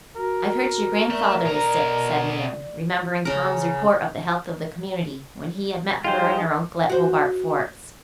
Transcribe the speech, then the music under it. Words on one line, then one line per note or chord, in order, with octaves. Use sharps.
"I've heard your grandfather is sick," said Nan, remembering Tom's report of the health of the community when he had met her and her uncle at Hobart Forks.
F#4 A#4
A3 D5
B2 A#5
C#3 A#4
G3 D#4 F4 G#4 C5 G5
F#4 C5